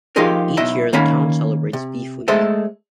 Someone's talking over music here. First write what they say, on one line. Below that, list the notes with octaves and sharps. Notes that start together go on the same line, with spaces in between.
Each year the town celebrates Beef Week.
F3 D#4 F4 G4 G#4 A#4
B1 E4 D#5 E5
D#3 A#3 C#4 B5
C3
G#3 A3 A4 C5 D#5 E5